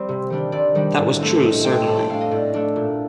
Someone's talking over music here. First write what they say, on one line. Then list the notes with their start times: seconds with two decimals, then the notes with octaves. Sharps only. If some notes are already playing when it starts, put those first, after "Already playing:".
That was true, certainly.
Already playing: G3 C4 G4 C5
0.09 C3
0.30 D#3 G3 D4
0.52 C3 D5
0.75 D#3 G3 D4
0.98 A2
1.20 A3 C4
1.42 A2 D#5
1.64 A3 C4 G5
1.87 A2 A5
1.98 G5
2.09 A3 D4 F5
2.21 D#5
2.31 A2 D5
2.54 A3 D4
2.76 A#2